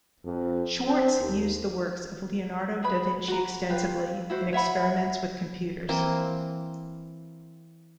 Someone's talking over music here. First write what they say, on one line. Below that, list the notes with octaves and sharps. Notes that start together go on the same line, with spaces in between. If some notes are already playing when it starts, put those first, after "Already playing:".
Schwartz used the works of Leonardo da Vinci extensively in experiments with computers.
F2
C4
D#2
G#4 B4 B5
F#4 A#5
F4 G4 B4 F5
E4 F#4 C5
C#5 E5 F#5 B5
E3 A#3 C4 C5